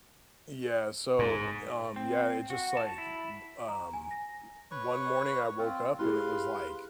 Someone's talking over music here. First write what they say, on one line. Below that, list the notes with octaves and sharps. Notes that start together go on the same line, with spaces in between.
Yeah, so, um Yeah, it's just, like, b b um, o one morning I woke up and it was like
G#2
C4
F#4
A5
E4
A#5
G#5
A#6
B4 C#5 C#6
C4 F4
E4 G4 G#4 B4 F5 C6